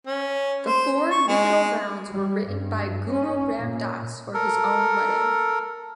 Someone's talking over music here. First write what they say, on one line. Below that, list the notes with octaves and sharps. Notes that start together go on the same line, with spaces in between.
The four nuptial rounds were written by Guru Ram Das for his own wedding.
C#4
C5
C#6
G#3
G3
G2
C#4
A#2
A4 A#4